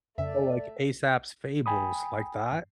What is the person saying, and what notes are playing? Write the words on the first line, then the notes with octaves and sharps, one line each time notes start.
Oh, like Aesop's fables, like that?
F2 C#3 A3 D5 E5
G5 G#5 B5 D#6